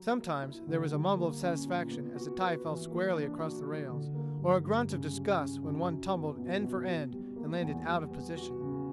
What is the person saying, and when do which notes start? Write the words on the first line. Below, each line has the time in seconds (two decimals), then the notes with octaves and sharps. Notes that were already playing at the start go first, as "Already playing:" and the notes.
Sometimes there was a mumble of satisfaction as a tie fell squarely across the rails; or a grunt of disgust when one tumbled end for end and landed out of position.
Already playing: F#3
0.17 A#3
0.42 E4
0.67 D3
0.91 G3
1.17 A#3
1.41 C#4
1.66 A#2
1.91 B3
2.15 F#4
2.41 B4
2.65 E3
2.91 A#3
3.15 D4
3.39 F#4
3.65 G3
3.90 D3
4.14 A#3
4.38 G2
4.64 G2
4.89 C#3
5.13 G3
5.38 C#4
5.63 F#2
5.88 F#3
6.12 B3
6.37 B2
6.62 B2
6.86 B2
7.12 G3
7.36 A#3
7.62 E2
7.86 G3
8.11 B3
8.36 F#4
8.60 C#3